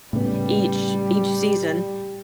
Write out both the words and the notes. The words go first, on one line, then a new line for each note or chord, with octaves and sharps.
each each season,
A2 C#3 G3 B3